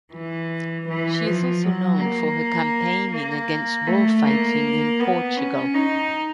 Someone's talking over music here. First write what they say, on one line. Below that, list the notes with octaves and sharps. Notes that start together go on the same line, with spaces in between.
She is also known for her campaigning against bullfighting in Portugal.
E3
E3
F3
F#3
A#3
A#3
A3
A#3
B3
C#4
D#4